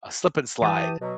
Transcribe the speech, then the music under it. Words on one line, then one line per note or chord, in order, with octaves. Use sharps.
a Slip 'N Slide
E3 G4 A5 D#6
B2 F#3